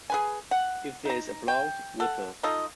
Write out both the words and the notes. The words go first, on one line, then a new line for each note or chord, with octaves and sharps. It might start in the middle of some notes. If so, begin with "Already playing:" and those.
If there is applause, whistle.
G#4 B4 G#5
F#5
D#4 A#5
G5
A4 F#5
D#4 F4 A4 D#5